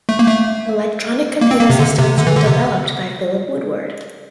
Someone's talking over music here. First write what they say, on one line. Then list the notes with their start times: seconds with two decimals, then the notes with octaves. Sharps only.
Electronic computer systems were developed by Philip Woodward.
0.09 A3
0.19 A#3
0.28 A3
1.41 A#3
1.51 C4
1.61 A#3
1.70 C3
1.79 D3
1.99 C3
2.18 D3
2.27 E3
2.37 D3
2.46 C3